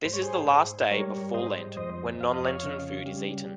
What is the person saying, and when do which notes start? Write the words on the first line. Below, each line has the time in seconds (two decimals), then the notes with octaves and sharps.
This is the last day before Lent when non-lenten food is eaten.
0.05 G#2 C5
0.14 C#5
0.22 G#4 C5
0.48 G#2
0.91 G3 A#4 C#5
1.34 G#2 C5 D#5
1.76 F2 C5 D#5
2.19 F2 F5
2.34 D#5
2.47 C#5 F5
2.63 C#3
3.06 G3